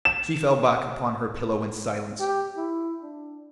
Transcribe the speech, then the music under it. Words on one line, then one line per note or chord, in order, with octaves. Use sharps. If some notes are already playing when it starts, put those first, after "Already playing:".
She fell back upon her pillow in silence.
E7
G4
E4
D4